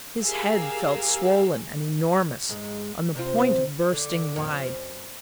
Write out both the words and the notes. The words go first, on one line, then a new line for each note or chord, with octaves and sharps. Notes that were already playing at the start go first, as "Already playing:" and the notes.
His head felt swollen and enormous, on the point of bursting wide.
G4 G#4 A#4 F5 E6
G#2 G#3
C3 C4 F4
D3
F2 A#2 D#3
F3
F#2